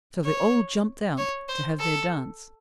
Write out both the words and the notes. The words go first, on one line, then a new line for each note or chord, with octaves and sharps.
So they all jumped out to have their dance.
C#5
C#5
C5
A4